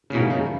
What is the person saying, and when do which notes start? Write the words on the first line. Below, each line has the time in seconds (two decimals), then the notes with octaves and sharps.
You too.
0.10 C#3
0.15 G2 B2 E3 A#3 D#4 A#4
0.30 C#3